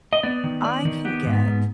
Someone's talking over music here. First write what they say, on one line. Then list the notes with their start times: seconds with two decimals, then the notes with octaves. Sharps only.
I can get
0.13 D#5
0.23 B3 D5
0.44 D#3
0.64 B3 D5
0.85 D#3
1.05 B3 G4
1.26 G#2
1.33 B3
1.46 G#2